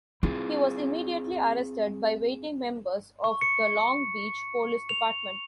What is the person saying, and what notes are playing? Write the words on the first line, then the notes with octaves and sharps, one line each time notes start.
He was immediately arrested by waiting members of the Long Beach Police Department.
C4 E4 F4 G#4
C#6
C#7
F7